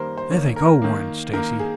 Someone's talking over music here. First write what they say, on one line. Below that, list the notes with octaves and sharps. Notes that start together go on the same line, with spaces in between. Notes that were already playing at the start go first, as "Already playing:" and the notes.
"There they go," warned Stacy.
Already playing: D#3 G3 A#3 A#4 C5
C5
D#3 A#3 C#5
A#4
D#3 A#3
D#3 A#3 A#4
G#4